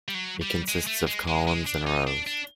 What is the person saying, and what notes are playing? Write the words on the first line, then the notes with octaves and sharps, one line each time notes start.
It consists of columns, and rows.
G3
F#3
G3
G#3
A3
G#3
G#3
G#3
D4
D#4
D4
D4